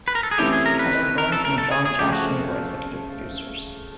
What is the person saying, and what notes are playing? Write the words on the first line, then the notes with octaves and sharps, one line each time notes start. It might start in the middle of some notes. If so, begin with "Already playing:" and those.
Kevin Burns and Jon Jashni were executive producers.
B4
A#4
A4
G#4
C3 E3 A3 C#4 E4 G4
G#4
A#4
B4
A#4
A4
A#4
A4
G#4
G#4
C#3 F3 A3 G4
F#4